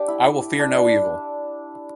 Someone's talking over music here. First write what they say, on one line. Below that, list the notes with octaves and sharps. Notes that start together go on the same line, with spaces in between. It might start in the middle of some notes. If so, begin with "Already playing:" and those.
I will fear no evil.
Already playing: D4 G4
E4
D4